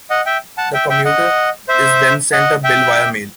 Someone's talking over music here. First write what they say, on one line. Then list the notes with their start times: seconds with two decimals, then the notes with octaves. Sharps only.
The commuter is then sent a bill via mail.
0.10 D#5 F#5
0.26 E5 G5
0.58 F#5 A5
0.74 E5 G5
0.90 E5 G5
1.05 D#5 F#5
1.68 C5 E5
2.32 D#5 F#5
2.64 E5 G5